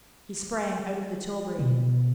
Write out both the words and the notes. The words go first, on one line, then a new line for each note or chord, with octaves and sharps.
He sprang out of the tilbury.
B2